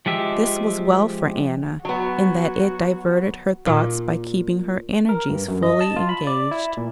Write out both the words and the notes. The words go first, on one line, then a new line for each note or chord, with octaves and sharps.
This was well for Anna, in that it diverted her thoughts by keeping her energies fully engaged.
F3 G#3 G4 E5
F#3 B3 F#4
A#2
A#4
G2
F#2
D#5
A5
F4
B5
D5
E4
A#2